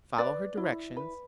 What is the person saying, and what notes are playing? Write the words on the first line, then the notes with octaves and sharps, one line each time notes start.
Follow her directions.
B4 D5
E4
B4